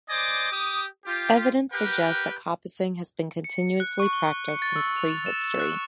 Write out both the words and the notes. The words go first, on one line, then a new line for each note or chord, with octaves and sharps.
Evidence suggests that coppicing has been continuously practised since pre-history.
C5 D5 D#5 G#5 D6
G4 D6 D#6
F4 G4
G4 A#4 B4 F#5 G5
C#7
F#6
C#6
G7
C#7
A6
E6
F7
E7
F#6